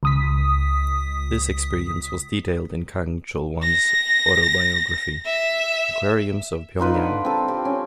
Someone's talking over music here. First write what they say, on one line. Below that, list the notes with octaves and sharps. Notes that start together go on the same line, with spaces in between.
This experience was detailed in Kang Chol-Hwan's autobiography "Aquariums of Pyongyang".
C#2 D#6 B6
A#6
E5
D#4 F4 B4 D5
D3
C4 A4
G4
C#4